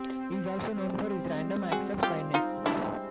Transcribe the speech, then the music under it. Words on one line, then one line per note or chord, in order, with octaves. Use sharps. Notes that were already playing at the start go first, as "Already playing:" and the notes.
He is also known for his random acts of kindness.
Already playing: C4 G4
G3
G#3
F#4 G#4
F4 G4
D#4 F4
D4 E4